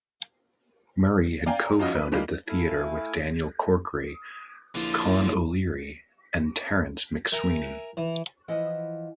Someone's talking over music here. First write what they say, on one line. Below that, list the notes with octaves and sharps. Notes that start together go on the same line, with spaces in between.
Murray had co-founded the theatre with Daniel Corkery, Con O'Leary and Terence McSwiney.
D5 F5 G5 G#5 A#5
A#5
F3 C#4 D#4 F4 F#4 D#5
B4
D#3 G3 G#3 A#3 F4
A3 E4 F5 G#5
A#1 D3 E4 F4
A#4 E5 G#5
E3
E3 F3 E4 D#5 F#5